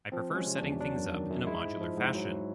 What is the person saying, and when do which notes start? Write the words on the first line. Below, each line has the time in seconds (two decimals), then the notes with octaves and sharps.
I prefer setting things up in a modular fashion.
0.12 F3 C4
0.30 G#3 C#4
0.47 C3
0.58 E2 D4
0.80 F#3 D4
0.97 F#2
1.14 D#3
1.31 F#2
1.47 G#3 E4
1.65 G#2
1.81 F3
1.98 G#2
2.15 F#3